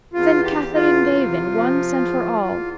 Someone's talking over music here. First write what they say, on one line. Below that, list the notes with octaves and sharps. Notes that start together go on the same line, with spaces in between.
Then Katharine gave in, once and for all.
E2 F4
G4
E2
F4
C3
F3
E2
E2